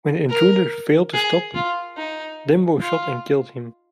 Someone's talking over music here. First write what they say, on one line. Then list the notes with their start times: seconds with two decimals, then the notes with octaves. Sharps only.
When the intruder failed to stop, Dembo shot and killed him.
0.30 A#4
1.14 G#4
1.55 F4
1.97 D#4
2.81 F4